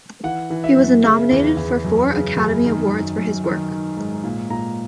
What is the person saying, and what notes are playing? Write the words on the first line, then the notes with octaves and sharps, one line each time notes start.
He was nominated for four Academy Awards for his work.
E3 F#5
E3
E5
F#2
C#3 E5
E2
E2
F#2
C#3
F#2
D#3
F#2
F#2
D#3
D#3
G#2
A#2
A#2 A#5